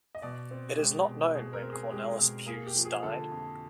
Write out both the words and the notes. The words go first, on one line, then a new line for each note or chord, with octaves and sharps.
It is not known when Cornelis Buys died.
D#5
B2 D5
C4
G#3 G4
B2
B2 G#4
A#4
C4
G#4
G#3 G4
B2
A#3 G#4
G4
F3
G#4
D3 A4
F2